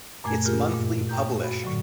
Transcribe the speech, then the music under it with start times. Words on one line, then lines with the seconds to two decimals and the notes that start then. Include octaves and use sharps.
It's monthly published.
0.24 F#2 A#2 A3 G#5 G#6
0.44 A#3 F4 G4 G#4 A#4
0.71 G2 A#2
1.09 G5 A#5 G6
1.40 F#4 B5
1.64 A2 D3 F#3